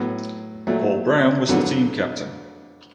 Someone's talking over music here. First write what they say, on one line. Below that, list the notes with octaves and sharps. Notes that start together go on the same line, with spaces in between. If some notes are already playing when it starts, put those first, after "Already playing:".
Paul Brown was the team captain.
Already playing: A2 F#3 B3
A#2 F#3 A3
F2 D3 F#3 B3